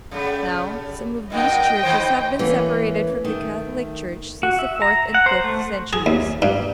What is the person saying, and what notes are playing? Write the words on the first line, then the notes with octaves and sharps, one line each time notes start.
Now, some of these churches have been separated from the Catholic Church since the fourth and fifth centuries.
C#3 G3 A3
F#2 A#2 D3 D#5 G5
G2 D#3 C5
E3 A3 A#3 C#4
D#3 A3
F#4
E5
A#5
F#5
C5
A3
G#4
D#2
G2